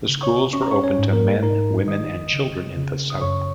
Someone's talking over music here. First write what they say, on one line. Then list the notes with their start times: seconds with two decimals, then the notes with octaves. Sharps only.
The schools were open to men, women, and children in the South.
0.09 C#3
0.23 C#5 C#6
0.53 C#4 C#6
0.62 A#5
0.71 C#5 C#6
0.83 C#4 C#5
0.98 G#2
1.13 A#3 A#4
1.43 D#4 A#4 A#5
1.87 D#3 D#5 D#6
2.33 C#3
2.77 C#3
3.10 D#6
3.22 F#2 C#5 C#6